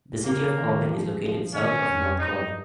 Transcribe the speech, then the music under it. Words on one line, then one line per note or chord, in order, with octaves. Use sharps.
The city of Corbin is located south of North Corbin.
C#3 A#3
D#3
F3
F3
D#3 C#4
F2
G2 D#4